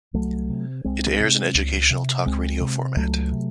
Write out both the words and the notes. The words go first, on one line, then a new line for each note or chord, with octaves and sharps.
It airs an educational talk radio format.
C2 F#3 A3
C3
C2 G#3 C4
C3
C#2
C3
C#2 G#3 C4
C3
C#2 F#3 A3
C3